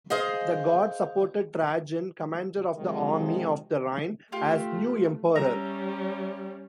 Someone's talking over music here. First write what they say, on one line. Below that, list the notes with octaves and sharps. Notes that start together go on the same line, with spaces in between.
The Guard supported Trajan, commander of the Army of the Rhine, as new emperor.
G#4 C5 D#5 F5
C3 D#3 F3 F#3 G#3
A3 F4 G4
G3 C#4 E5 A#5